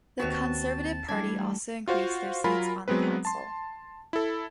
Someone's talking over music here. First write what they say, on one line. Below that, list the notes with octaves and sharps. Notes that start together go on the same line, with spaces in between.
The Conservative Party also increased their seats on the council.
D#2 C4 F#4 B4 C#5 A5
E3 G3 A3 D4 G#6
F4 F#4 C5 F5
F#3 F4 A#4 G#5 B5
F#3 G#3 B3 C4 B4
A5 C6
E4 A4